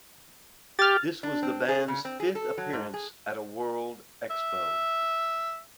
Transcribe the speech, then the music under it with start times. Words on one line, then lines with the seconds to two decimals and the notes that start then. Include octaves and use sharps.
This was the band's fifth appearance at a World Expo.
0.79 G4 F6 A6
1.23 D4
1.43 C4
1.69 G#4
1.88 C#3
2.05 C4
2.20 G#4
2.35 A4
2.58 F#3
2.73 G#2
2.94 G#4
4.30 E5